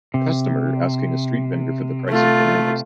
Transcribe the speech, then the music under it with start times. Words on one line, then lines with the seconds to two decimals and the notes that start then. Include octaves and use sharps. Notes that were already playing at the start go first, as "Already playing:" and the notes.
A customer asking a street vendor for the price of bananas.
0.14 C3
2.09 A3 F4